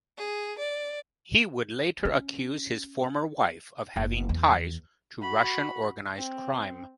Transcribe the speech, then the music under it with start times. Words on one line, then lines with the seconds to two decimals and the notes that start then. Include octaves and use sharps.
He would later accuse his former wife of having ties to Russian organized crime.
0.18 G#4
0.59 D5
2.05 C#4
3.96 F#1
4.29 E2
5.21 F#4 B5
6.18 C4